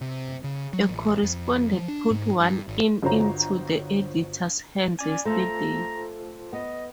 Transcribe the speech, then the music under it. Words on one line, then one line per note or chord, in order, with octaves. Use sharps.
A correspondent put one in into the editor's hands yesterday.
C3
C#3
F#3
A1
F2
F3
D4
G#2
G2
G#1
G1 F4 F#4 C5 C#5 A#5
C#4 D5 G#5
A3 F4 A4 C5 A#5
B3 D#5